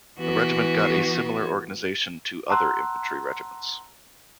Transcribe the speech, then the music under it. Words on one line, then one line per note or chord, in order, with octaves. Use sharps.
The regiment got a similar organization to other infantry regiments.
E3 B3 F#4
F#5 A5 A#5 C6 E6 F#6